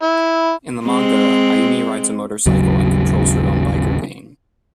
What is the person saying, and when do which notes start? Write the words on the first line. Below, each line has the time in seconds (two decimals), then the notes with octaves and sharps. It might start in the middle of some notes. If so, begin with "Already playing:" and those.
In the manga, Ayumi rides a motorcycle and controls her own biker gang.
0.02 E4
0.85 G#3 C4
2.46 G#1 D#2 C#3 F#3